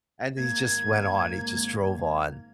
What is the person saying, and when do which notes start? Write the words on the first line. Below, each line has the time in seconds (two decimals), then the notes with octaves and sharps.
And he just went on. He just drove on.
0.37 G#1 A#3 G#6